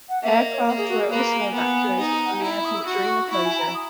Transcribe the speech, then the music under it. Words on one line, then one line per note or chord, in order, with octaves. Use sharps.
Aircraft were also evacuated from the airport during the closure.
F#5
A#3 E5
D#5
C#5
A#3 A#4
G#4
F#4
G#4
A#3 B4
A#5
G#5
B3
D#4
F#5
G#5
E4 A#5
B5
D#6
E6
F#4
C#6
E4 C#6
G#5
G#5
A#5
D#6